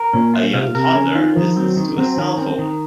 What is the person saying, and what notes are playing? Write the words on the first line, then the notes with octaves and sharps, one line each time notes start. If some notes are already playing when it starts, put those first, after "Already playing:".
A young toddler listens to a cellphone.
Already playing: A#4
A#2 C#4
F4
C3 F5
A#2
C3 A#4
C#3 C#4
D#3 F4
D#3 F3
F#3 C4
D#3
F#3 C4
D#3 C#4
C4
D#3